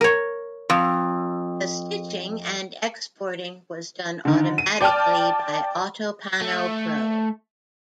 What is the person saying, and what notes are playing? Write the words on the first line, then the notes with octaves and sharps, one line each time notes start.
The stitching and exporting was done automatically by Autopano Pro.
A#4 C#5
F2
D3 D#3
D#7
D5 G5 A5 F6
A3